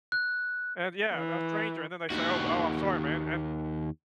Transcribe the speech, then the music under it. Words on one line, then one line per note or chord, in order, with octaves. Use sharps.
And yeah, a stranger, and then they say, "Oh, oh, I'm sorry, man," and and
F#6
E3
D#2 F#4